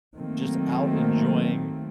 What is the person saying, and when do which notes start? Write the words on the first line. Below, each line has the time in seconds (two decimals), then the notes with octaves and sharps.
just out enjoying
0.17 D#3 F#3 A3 A#3 C4